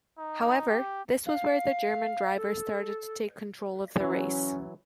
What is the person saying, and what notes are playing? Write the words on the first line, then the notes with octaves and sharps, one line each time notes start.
However, this was where the German driver started to take control of the race.
D#4
G4
F5
A4
E3 F#3 C#4